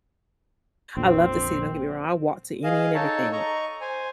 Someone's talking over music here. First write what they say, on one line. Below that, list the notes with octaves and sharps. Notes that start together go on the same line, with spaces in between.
I love the city, don't get me wrong. I walked to any and everything,
A#1 F2 C4
G#4 D#5 F5
D#4 A4 C#5 A5
D#5 A#5 C#6
C5 G#5